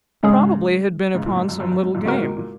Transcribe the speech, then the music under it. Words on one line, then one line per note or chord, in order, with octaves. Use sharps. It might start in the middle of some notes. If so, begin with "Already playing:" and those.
Probably had been upon some little game.
G#2 C#3 G#3 C#4 G#4
G#2 C#3
F#2 A#2
G#2
F#2
F#2
F#2
G#2
F#2 A#2
G#2 C#3 G#3 F#4 A#4
A#2 D#3
A#2